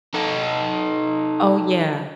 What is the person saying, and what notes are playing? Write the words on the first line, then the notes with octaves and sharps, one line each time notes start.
Oh, yeah,
D#4 A4